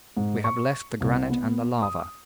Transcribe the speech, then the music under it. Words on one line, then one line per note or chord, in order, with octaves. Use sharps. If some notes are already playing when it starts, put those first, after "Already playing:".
We have left the granite and the lava.
G#2
C#6
C2
B3
D#6